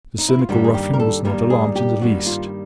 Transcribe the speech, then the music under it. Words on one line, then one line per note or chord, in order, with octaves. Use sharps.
The cynical ruffian was not alarmed in the least.
D#4
E4
F4
G2 D#3 G3 A#3 F#4
G#4
G4
A#4
A4
G2 D#3 G3 A#3 A#4
G#4
G4
G2 D#3 G3 A#3 F#4
F4